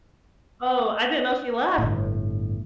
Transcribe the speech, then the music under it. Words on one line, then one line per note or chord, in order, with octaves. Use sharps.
Oh, I didn't know she left.
G1 A2